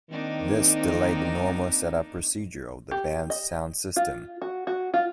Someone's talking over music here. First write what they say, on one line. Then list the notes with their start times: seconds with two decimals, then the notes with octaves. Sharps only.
This delayed the normal setup procedure of the band's sound system.
0.10 D#3 A#3 C4 D4 D#4
2.91 G4
3.30 D#5
3.96 F4
4.42 F#4
4.67 F#4
4.94 F4